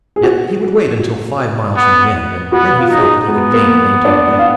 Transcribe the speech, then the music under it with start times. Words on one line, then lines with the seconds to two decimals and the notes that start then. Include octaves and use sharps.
Yet he would wait until five miles from the end, and then he felt that he could gain and maintain a lead.
0.16 G#4
0.23 F#4
0.99 F#4
1.76 B3
2.52 B3 F#4
2.78 F4
2.91 D#4
2.98 G#4
3.03 F#4
3.28 G#3 B3 G#4
3.54 A#3 A#4
4.05 D4 D5
4.39 F5